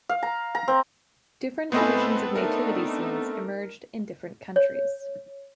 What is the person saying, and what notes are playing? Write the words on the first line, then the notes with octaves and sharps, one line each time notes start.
Different traditions of nativity scenes emerged in different countries.
F5
A#5
A#5
C4
A2 B3 C4 A4 B4 C5 D#5 G#5
A3 D4 D#4 A#4
C#5